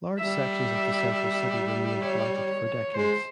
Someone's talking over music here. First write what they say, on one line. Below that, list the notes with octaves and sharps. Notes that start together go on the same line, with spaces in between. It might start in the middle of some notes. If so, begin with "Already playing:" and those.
Large sections of the central city remained blighted for decades.
G3 E5
C#5
G#3 C5